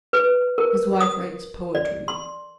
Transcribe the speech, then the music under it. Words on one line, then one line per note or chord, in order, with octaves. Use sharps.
His wife writes poetry.
B4
A#4
D#6
D5
C6